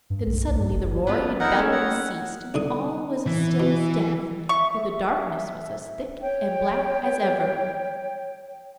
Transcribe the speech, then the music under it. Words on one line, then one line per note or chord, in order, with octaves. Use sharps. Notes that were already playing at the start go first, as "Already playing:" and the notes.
Then suddenly the roaring and bellowing ceased, and all was as still as death, though the darkness was as thick and black as ever.
G2
A#1
C2
G2
G1
B3 D4 F4
F#3 D#4 E4 A#4 F#5
C#4 E4 C#5
F#5
C2 D3 D#6
E3
B2
E5 C#6
C#5 G5